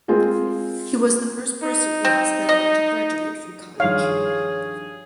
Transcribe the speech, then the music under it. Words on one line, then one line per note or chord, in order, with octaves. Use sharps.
He was the first person in his family to graduate from college.
G#3 C4 F4 G#4 A#4
D#4
C4
D#5
G2 D#3 F3 G#4 C#5 F5